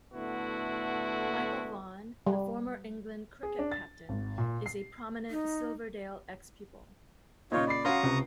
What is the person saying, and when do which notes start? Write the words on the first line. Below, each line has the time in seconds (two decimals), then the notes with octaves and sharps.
Michael Vaughan, the former England cricket captain, is a prominent Silverdale ex-pupil.
0.13 A2 D3 A3 B3 E4 F#4
2.26 G3
3.43 G#4
3.59 D4
3.72 A6
4.09 G#1
4.38 A#2
4.66 C7
5.30 D#4
7.52 A#2 C#3 D#4 F4 C#5 D#5 C#6
7.67 D5 B5 C7
7.85 C#4 F#4 C#5 F5 A#5 C6 C#6 D#6
8.03 C#2 C3